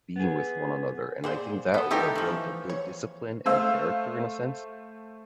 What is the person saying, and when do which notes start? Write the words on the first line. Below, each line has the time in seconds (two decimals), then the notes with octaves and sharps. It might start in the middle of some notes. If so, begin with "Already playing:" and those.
being with one another, and I think that woulda built a good discipline and character in a sense.
0.16 B3 G#4
1.24 A#2 A#3 G#4 C5
1.74 A#3 B3 A4
1.91 A3 D#4 E4 G4 G5
2.16 E3 F3
2.70 C#5
3.46 A3 C5 F5 E6